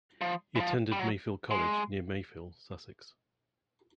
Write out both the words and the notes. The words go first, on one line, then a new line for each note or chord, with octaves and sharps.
He attended Mayfield College near Mayfield, Sussex.
F3
E3
F3
G3
F#3
G#3